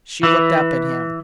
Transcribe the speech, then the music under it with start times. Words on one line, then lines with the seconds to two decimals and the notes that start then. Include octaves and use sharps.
She looked up at him.
0.23 E3